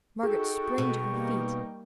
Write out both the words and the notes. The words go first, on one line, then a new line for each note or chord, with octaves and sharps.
Margaret sprang to her feet.
D#4 F#4 G#4 A4 G5 C#6
B2
G3 A#3 D#4